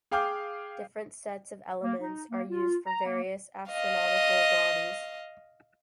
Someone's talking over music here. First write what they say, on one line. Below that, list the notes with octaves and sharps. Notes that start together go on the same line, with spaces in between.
Different sets of elements are used for various astronomical bodies.
G#4 F5 G5 D6 F6 G6
A#3
D#4
A#3
F4
A#5
A#3
D#5 F5